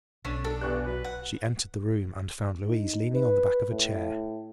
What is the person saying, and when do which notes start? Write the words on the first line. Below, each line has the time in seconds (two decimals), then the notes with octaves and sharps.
She entered the room and found Louise leaning on the back of a chair.
0.25 B1 A3 C#4 D4
0.44 D4 A4
0.61 E2 G2 A#2 C#6 F#6
0.86 F#3 B4
1.04 F#5
2.65 D#4
3.14 B4
3.71 A2